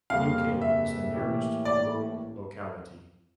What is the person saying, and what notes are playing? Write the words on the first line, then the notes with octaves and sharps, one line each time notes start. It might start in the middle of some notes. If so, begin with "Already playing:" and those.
Uk is the nearest rural locality.
F2 C#3 G3 A#3 F5
E5
A2 E3 A#3 C#4 G4
D5